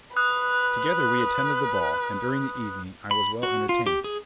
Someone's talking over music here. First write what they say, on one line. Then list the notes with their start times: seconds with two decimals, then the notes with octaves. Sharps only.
Together we attended the ball, and during the evening I was well entertained.
0.16 B4 D#6 F#6
3.11 B5
3.43 F#4
3.69 F4
3.86 G4
4.04 G#4